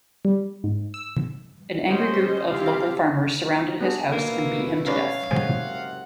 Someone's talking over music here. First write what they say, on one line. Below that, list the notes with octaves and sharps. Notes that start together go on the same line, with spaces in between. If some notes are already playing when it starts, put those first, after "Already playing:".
An angry group of local farmers surrounded his house and beat him to death.
G3
G#2
E6
C#4 G4 C5 D#5
G3 C4 E4 F4 G4 F5
B3 D4 G#4
B2 A3 A#3 E4 B4
C#4 B4 C#5 D5 F5
F#1 C3 G#3 C5 F#5 G#5